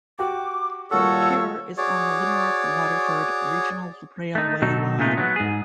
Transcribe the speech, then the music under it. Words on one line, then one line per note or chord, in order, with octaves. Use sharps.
Cahir is on the Limerick-Waterford regional railway line.
F#4 G4 G5 D6
D#1 A#3 F4 F#4 A4 C#5 E6 F6
F#4 G#4 C#5 D5
A3 D#4
B2 F#3 D#4 A4
A#2 G#3 A3 D#4
F#3 B3
G#2 G#4